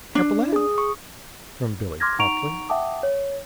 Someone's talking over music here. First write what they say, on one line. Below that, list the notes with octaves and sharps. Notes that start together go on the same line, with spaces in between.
"Capellette," from Billie promptly.
D4
G#4 D#6
C#6
C6 D6 F6 G#6 A#6
D#4 F#5 A#5 C#6 D7 F7
E5 F#5 G5 A5 D6 D#6
C#5